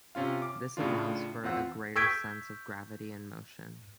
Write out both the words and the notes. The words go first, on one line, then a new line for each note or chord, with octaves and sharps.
This allows for a greater sense of gravity and motion.
C3 C#4 F4 F5
D6
A2 C#3 D4 F4
E2 C4 F4 F#5 E6
C#6 E6 G6 G#6 B6 D7